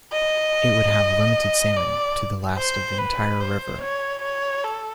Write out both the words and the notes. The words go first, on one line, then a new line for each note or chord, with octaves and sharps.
It would have limited salmon to the last of the entire river.
D#5
D5
C5
B4
C5
C#5
C#5
A4